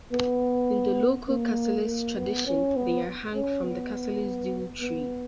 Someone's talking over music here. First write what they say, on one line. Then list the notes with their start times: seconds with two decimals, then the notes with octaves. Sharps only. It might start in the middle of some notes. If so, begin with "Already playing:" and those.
In the local Cassilis tradition, they are hung from the Cassilis Dule Tree.
0.13 B3
1.29 A#3
1.87 A#3
2.17 B3
2.47 C#4
2.76 B3
3.35 C#4
3.64 B3
4.81 B3